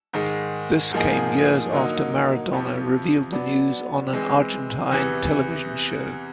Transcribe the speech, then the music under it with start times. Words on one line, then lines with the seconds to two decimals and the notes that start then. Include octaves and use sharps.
This came years after Maradona revealed the news on an Argentine television show.
0.13 G#2 D#3 G#3
0.93 G#2 F3 A#3 D#4 G#4
1.72 D3 F#3 A#3 D#4
2.53 F2 C3 F3
3.33 F#3 B3 D4
4.13 E3 G#3 C4
4.92 E2 C3 E3